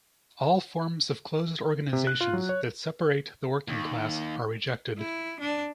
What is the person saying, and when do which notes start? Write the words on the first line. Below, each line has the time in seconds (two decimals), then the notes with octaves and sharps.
All forms of closed organizations that separate the working class are rejected.
1.93 C3
2.07 F#6
2.21 F4
2.33 F#3
2.49 C#5
3.68 D#2
4.98 E4
5.40 D4